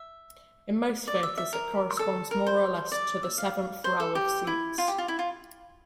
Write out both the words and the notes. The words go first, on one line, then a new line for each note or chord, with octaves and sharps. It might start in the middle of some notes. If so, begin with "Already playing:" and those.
In most theaters it corresponds more or less to the seventh row of seats.
Already playing: E5
D5
E5
E5
A#4
A4
A#4
C5
D5
E5
F5
C5
A4
G4
E4
F4
G4
F4
E4
F4